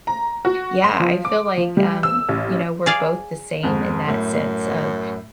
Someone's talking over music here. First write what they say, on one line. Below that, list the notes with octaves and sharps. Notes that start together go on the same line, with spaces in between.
Yeah I feel like um, you know, we're both the same in that sense of,
A#5
F#4
C6
F3
D6
F3
G3
E6
A1
G#4 D5 F5
F2 G#2
F#2 A2